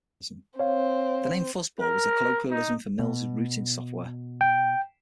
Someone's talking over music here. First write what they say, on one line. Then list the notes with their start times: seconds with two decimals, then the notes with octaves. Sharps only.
The name "Fuzzball" was the colloquialism for Mills' routing software.
0.59 C4 C#5 F5
1.80 A#4
2.51 D#4
2.99 B2
4.41 G5